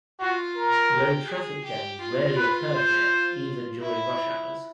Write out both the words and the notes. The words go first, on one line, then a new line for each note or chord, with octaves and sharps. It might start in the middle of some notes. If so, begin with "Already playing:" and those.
Road traffic jams rarely occur here even during rush hours.
F4 F#4
A#4
G4
G#4
G4
F4
B4
C5
E4